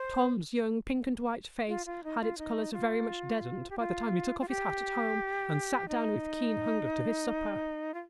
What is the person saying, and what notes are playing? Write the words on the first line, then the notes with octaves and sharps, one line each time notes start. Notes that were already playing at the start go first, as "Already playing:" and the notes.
Tom's young pink-and-white face had its colors very much deadened by the time he took off his hat at home, and sat down with keen hunger to his supper.
Already playing: C5
F4
F4
D#4
F4
D#4
F4
G4
F4
F4
G4
D#4
F4